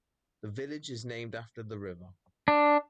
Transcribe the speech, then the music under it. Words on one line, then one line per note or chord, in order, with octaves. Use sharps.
The village is named after the river.
D4